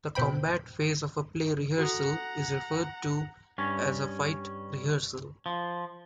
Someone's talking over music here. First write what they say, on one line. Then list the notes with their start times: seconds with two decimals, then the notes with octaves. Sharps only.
The combat phase of a play rehearsal is referred to as a "fight rehearsal".
0.15 B2 C4 G5 B5
1.78 F#4 A4 F#5 A#5
3.58 G2 C#4
5.46 F3